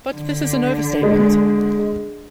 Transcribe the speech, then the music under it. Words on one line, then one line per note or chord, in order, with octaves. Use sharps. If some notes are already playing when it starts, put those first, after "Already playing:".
But this is an overstatement.
D3
G#3